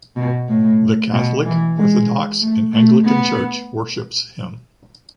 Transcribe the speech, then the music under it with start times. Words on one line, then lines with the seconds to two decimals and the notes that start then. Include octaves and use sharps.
The Catholic, Orthodox and Anglican church worships him.
0.16 B2
0.49 A2
1.13 B2
1.45 E3
1.77 G#3
2.41 A3
2.73 A3
3.05 B3